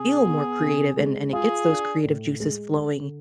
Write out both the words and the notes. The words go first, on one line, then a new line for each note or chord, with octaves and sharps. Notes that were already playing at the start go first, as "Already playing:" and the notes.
feel more creative, and and it gets those creative juices flowing
Already playing: C3 G#4
B3
C3
G#3
F4 G#4
D4
A2
G#3
D3